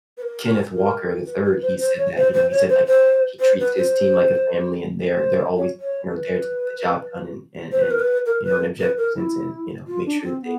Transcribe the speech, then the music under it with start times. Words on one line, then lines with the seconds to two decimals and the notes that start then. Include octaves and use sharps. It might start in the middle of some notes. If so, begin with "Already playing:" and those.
Kenneth Walker III, he said that, you know, he said, like, he treats his team like a family and they're they're always, you know, there to get the job done and and and, you know, an objective sense and, you know, make sure that they
0.17 B4
0.22 A#4
0.72 A#4
1.25 B4
1.43 B4
1.61 C5
1.80 C5
1.97 C#5
2.16 C5
2.34 C5
2.51 C#5
2.69 C5
2.86 C5
3.40 C5
3.59 B4
3.77 C5
5.03 C5
5.57 C#5
5.80 C#5
6.10 B4
7.72 C5
7.81 B4
7.91 A#4
7.99 B4
8.26 A#4
8.44 B4
8.80 B4
8.97 A#4
9.15 E4
9.87 F4
10.05 D4
10.24 C4
10.41 B3